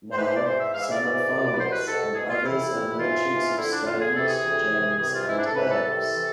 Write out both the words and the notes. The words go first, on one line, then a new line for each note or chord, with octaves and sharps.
Now, some are farmers and others are merchants of stones, gems and herbs.
C5
G#2 E3 B4
C5
D5
G#2 E3 C5
E5
G#2 E3 F5
E5
D5
G#2 E3
C2 B2
B4
C2 B2 C5
B4
C2 B2 A4
C2 B2 G#4
F4
F2 C3 E3 E4
F2 C3 E3
G#2 E3 F4
G#2 E3
F2 D3 E4
D4
F2 D3 F4
G#4
D2 C3 E3 A4
G#4
D2 C3 E3
C2 C3 E3
C2 C3 E3 G#4
F4
G#2 E3 E4
D4
A4
G#2 E3 B4
A4
C2 C3 E3 A4
C3 E3